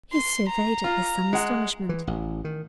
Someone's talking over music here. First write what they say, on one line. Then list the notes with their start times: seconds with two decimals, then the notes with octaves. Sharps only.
He surveyed it with some astonishment.
0.12 C6
0.49 A#5
0.84 F4
1.33 G#3 F#5
1.89 E3
2.07 A1
2.45 D#3